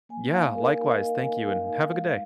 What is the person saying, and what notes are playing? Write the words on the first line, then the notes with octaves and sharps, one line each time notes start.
Yeah, likewise, thank you and have a good day.
A#3 G#5
D#4 F5
A#3 A#4
A#3
D#5
D#4 F5
A#3 G#5
D#4 F5
D#4
G#3